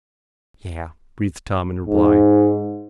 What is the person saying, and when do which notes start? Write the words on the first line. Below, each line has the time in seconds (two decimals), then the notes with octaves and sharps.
"Yeah," breathed Tom in reply.
1.87 G#2